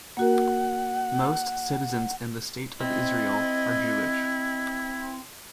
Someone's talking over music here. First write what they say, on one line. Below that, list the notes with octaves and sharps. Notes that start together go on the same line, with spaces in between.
Most citizens in the State of Israel are Jewish.
A#3 F#4 A#4 F#5
C4 E4 D#5